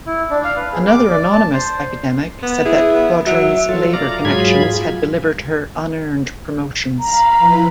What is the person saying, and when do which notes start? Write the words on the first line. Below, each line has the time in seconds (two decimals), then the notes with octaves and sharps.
Another anonymous academic said that Gaudron's Labor connections had delivered her unearned promotions.
0.06 E4
0.31 D4
0.44 F5
0.56 B4
0.73 G#4
0.87 D6
1.10 D5
1.33 A5
1.53 C5
2.43 B3
2.65 E4 G#4
2.94 B3
3.26 F#3 E5
3.69 F#3 F4 A4
3.93 D5 F5 A#5
4.25 G#2 F#3 F4 G#4 B5 G#6
7.00 F5 A#5 B5
7.38 F3 E4 B4